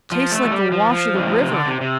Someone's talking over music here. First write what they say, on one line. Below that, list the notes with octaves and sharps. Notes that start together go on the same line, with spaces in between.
'Tastes like the wash of the river.'
F3
A3
F3
G3
F3
F3
G2
A2
C3
D3
C3
C3